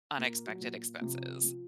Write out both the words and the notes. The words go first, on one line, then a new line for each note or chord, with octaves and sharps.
unexpected expenses.
A#2 A#3
F#3
A#2
C3 F3
F3